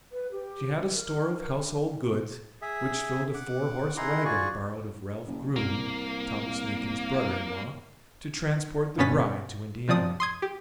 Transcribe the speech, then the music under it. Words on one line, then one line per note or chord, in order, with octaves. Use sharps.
She had a store of household goods which filled a four-horse wagon borrowed of Ralph Grume, Thomas Lincoln's brother-in-law, to transport the bride to Indiana.
B4
G4
A#4
G#4 E5
F#5 D6
D#4 E4 G#4 F#5 A#5 C6
F4 F#4 G#4 D5 G#5 C#6
F#1
C2 A#3
G2 B2 B3 C#4 A6 B6
C3 F3 D5 D#6
C6 D#6 G#6
G4